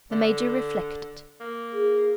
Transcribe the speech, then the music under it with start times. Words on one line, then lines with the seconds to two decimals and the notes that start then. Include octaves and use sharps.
The Major reflected.
0.11 D3
1.40 A#3
1.73 G#4